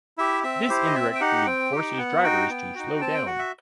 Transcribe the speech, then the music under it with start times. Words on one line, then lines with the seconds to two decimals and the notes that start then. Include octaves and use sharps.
This indirectly forces drivers to slow down.
0.18 E4 G4 E5
0.43 C4 E5
0.69 E4 G4 C5
0.86 D#5
0.95 C4 E5
1.15 G5
1.20 D#4 G4 F#5
1.46 C4 G5
1.72 D#4 G4
1.97 B3 F#5
2.23 D#4 F#4 G5
2.49 B3
2.75 D#4 F#4
3.01 C4 A5
3.14 G5
3.26 F#4 F#5
3.39 E5